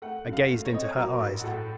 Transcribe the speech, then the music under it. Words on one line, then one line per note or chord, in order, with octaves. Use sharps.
I gazed into her eyes.
A3 F#5
F#2
F5
A3
C#5
C4 D#5
C#5
F#3 A#4
A1
F#4
A2 A4